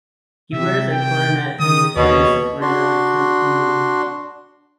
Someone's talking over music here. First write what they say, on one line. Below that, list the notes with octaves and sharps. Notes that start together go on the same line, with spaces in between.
He wears a coronet and his head is supported on a tilt-heaume.
C3 E5
G5
D#3 D#6
D#2 B2 C#5
D4 F#4 C6